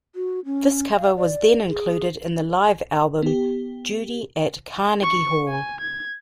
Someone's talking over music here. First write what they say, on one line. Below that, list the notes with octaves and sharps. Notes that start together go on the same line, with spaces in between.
This cover was then included in the live album "Judy at Carnegie Hall".
F#4
C#4
F5
D5
G#4
B3 G4
C#6
G#5
G#6